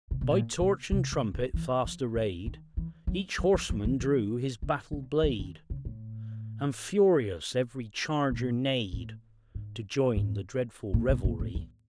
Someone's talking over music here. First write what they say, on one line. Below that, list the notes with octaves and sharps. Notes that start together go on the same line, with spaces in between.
By torch and trumpet fast array'd Each horseman drew his battle-blade, And furious every charger neigh'd To join the dreadful revelry.
C3
B2
A#2
B2
C3
C#3
D3
E3
F3
E3
D#3
E3
F#3
F#3
F3
F3
E3
E3
D3
D3
E3
D#3
C#3
A2
A#2
A2
G#2
G#2
A#2
B2
A#2
A2
E2